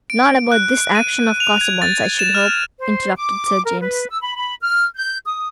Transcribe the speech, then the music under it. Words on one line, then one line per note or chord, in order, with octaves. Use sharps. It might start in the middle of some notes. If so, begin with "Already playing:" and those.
"Not about this action of Casaubon's, I should hope," interrupted Sir James.
D7
F#6
D#7
F7
G#6
A6
E7
F6
C5
D6
A#4
B4
E6
B5
B5
F6
G6
D#6